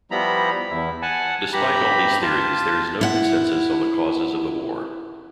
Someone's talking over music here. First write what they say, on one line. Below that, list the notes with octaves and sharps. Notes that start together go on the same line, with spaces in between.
Despite all these theories, there is no consensus on the causes of the War.
F3 G3 B3 E4 A#5 B5
E2 E4
F#5 G#5 A5
G2 G4 A#5 B5
F4 A5
E4 F#5